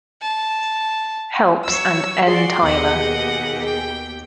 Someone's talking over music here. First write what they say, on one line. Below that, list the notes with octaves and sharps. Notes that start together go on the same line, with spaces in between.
Helps and N. Tyler.
A5
F#3 C#5 E6
F#4 G#4 D5 C6
D#2 B2 G4 D#5 F#5
G5